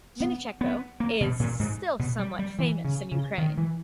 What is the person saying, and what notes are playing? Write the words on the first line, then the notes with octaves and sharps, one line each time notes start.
Vynnychenko is still somewhat famous in Ukraine.
B3
B3
A#3
B2
A#2
G#2
B2
G3
G3
E3
C#3
C#3
D#3
E3